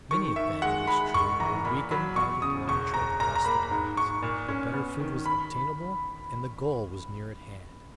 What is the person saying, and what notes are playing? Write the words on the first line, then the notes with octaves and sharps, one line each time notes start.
Many of them, it is true, were weakened by the long trip across the Plains; but better food was obtainable, and the goal was near at hand.
D#3 C#6
D#3 E5
G#3 F#5
G#3 B5
F#1 C#6
E3 A#5
A#2 B5
F#3 B5
E2 C#6
C#3 D#6
E1 C#6
E1 A#5
A#2 A#5
A#5
A#3 B5
G#2
G#2 C#6
A#2
C#4
B3
D#3
B5